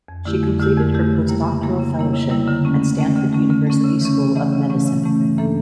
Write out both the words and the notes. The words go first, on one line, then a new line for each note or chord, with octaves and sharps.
She completed her postdoctoral fellowship at Stanford University School of Medicine.
F2
D3 A3 E4 G4
F2
D3 A3 E4 G4
F2
D3 A3 E4 G4
C#3
G3 A#3 E4
C#3
G3 A#3 E4
C#3
G3 A#3 E4
C#3
G3 A#3 E4
D3
A3 C#4
D3
A3 C#4
D3
A3 C#4
D3
A3 C#4
C#3
E3 A3 C#4
C#3
E3 A3 C#4
C#3
E3 A3 C#4
C#3
E3 A3 C#4
G2
E3 A#3 D4 A4